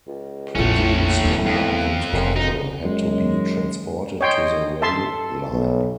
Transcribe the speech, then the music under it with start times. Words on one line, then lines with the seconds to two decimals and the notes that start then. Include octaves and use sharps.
Produce, lumber, and cattle had to be transported to the rail line.
0.07 C#2
0.55 A#1 F2 A2 A3 C#4
1.25 E2
1.46 F2
2.13 F1 F#2
2.36 D2 D#4
2.84 F#2 G#3
4.21 C#5 D#5 G5 C6
4.82 A4 E5 A5 C6
5.51 B1